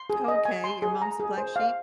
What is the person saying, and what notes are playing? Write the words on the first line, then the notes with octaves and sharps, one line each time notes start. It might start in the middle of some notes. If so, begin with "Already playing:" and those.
Okay, your mom's the black sheep?
Already playing: C6
G#4
D#5
G#5
C6
G#4
A#5
G#4
C5
F5